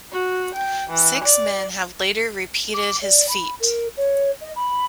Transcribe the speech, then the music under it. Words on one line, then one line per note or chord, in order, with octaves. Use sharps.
Six men have later repeated his feat.
F#4
G5
E3
D5
D6
D5
B5
A#4
C#5
D#5
B5